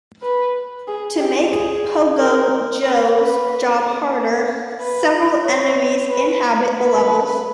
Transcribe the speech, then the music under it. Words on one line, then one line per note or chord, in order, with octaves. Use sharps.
To make Pogo Joe's job harder, several enemies inhabit the levels.
B4
G#4
G4
G#4
A#4
B4
B4
B4
C#5
B4
B4